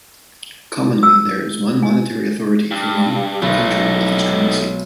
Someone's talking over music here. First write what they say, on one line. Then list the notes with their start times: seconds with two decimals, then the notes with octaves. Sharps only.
Commonly, there is one monetary authority for one country with its currency.
1.03 E6
1.83 G#5
2.71 G2
3.42 B1 A3 D#4